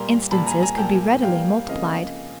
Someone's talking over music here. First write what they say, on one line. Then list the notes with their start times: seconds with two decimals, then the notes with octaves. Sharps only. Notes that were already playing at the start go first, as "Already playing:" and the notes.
Instances could be readily multiplied.
Already playing: A#2 G3 A#3 A#5 C6
0.31 A#2 G3 A#3 A5 B5
0.46 G#5 A#5
0.62 G#5 A#5
0.77 A#2 G3 A#3 G5 A5
1.23 A#2 G3 A#3 F5 G5
1.69 F2 C#3 F3 A#3 D#5 F5